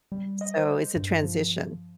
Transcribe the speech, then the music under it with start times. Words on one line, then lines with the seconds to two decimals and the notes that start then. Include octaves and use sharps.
So, it's a transition,
0.12 G3
0.41 D#5
0.57 C5
0.96 G2
1.23 F3